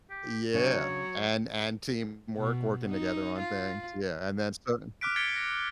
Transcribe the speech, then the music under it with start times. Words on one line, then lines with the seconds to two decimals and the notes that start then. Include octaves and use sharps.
Yeah, an an teamwork, working together on things, yeah, and that's something
0.10 G4
0.54 C#3 F#3 D4 C#5
2.37 B2
2.89 D#4
3.39 F4
5.01 D6 F6 F#6 B6 D7
5.16 G#6 A6 B6 C#7 D7 G7
5.36 A#6